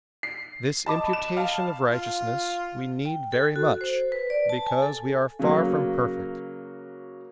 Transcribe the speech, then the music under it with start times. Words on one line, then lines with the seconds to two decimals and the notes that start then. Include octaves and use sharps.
This imputation of righteousness we need very much, because we are far from perfect.
0.23 C7
0.86 D#5 A5 B5 D6
1.13 E7
1.37 F5 A5
1.89 F4
3.05 G5
3.32 A4
3.56 F#4
3.81 C5
4.12 B4
4.30 D5
4.49 A5
4.67 G#5
4.82 A4
5.39 C#3 F#3 A#3